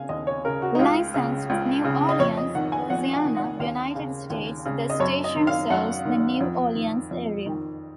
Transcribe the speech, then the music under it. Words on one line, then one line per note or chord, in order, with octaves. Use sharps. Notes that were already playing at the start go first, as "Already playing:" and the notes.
Licensed to New Orleans, Louisiana, United States, the station serves the New Orleans area.
Already playing: C#3 F5 G#5
D#2 D#5
C#5
C#3 A#4
F#4
D#4
C#2 F4
C#3
C#2
C#3
D#5
F2 C#5
D#5
D#3 F#5
G#5
F2 F#5
G#5
D#3
F#5
D#2 F5
C#3
D#2
C#3
D#5
F#2 C#5
D#5
D#3
F5
F#2 F#5
D#3
F2
D#3
F2
D#3